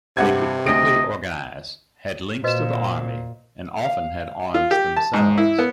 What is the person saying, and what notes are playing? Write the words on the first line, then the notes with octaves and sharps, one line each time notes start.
They could quickly organize, had links to the army, and often had arms themselves.
G2 C3 F#5 G#6
D2 D#5 A#6 D7
A#2 F#4 B4 C5 D#5 E7
F5
F4
G4
A5
G#2
E4
B3